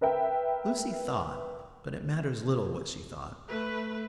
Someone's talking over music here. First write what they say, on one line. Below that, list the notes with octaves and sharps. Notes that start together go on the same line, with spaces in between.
Lucy thought--but it matters little what she thought.
A#4 B4 E5 G5
A3 B4